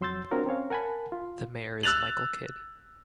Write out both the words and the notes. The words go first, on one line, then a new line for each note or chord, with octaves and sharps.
The mayor is Michael Kidd.
F2 F#3 C6 E6 G6 A6
C4 D4 F4 F#4 A#4 C#5
C4 C#4 C#5 F5
A#4 F#5 G#5 A5 B5
F4
E6 F#6 A6 F7 F#7